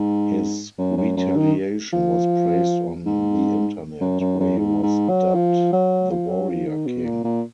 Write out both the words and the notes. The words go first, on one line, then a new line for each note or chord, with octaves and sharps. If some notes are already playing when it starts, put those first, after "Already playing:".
His retaliation was praised on the Internet, where he was dubbed "The Warrior King".
Already playing: G#2
F#2
F#2
F#2
D#3
F3
G#2
F#2
F#2
F#2
G#2
G#2
F#3
F3
F#3
F3
F#3
F3
D#3
B2
A#2
A#2